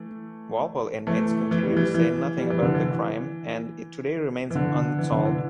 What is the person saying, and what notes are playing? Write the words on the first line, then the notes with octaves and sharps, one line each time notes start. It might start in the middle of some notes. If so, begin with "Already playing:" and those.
Walpole inmates continue to say nothing about the crime and it today remains unsolved.
Already playing: E3 A3
E3 A3
E3
G3
E3
E3
G3
E3
D3
E3
E3
D3
E3
D3
E3